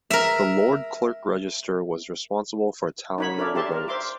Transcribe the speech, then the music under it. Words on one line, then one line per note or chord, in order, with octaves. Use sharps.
The Lord Clerk Register was responsible for tallying the votes.
A#4 E5
D#4 C#5 B5
D4 A4 A#4 C#5 D5 E5
G4 D5 E5 A5 C6
A#4
C5 E5 C6 D6